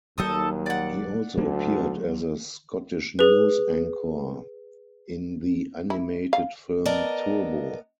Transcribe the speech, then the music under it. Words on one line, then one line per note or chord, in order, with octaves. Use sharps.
He also appeared as a Scottish news anchor in the animated film "Turbo".
D#1 D#2 F#3 G3 D#4 A4 D#6
D5 F#5
D2 F#3 A#3 B3
G#4 B4
E4
F5
B3 A#4 D5 D#5 A5 A#5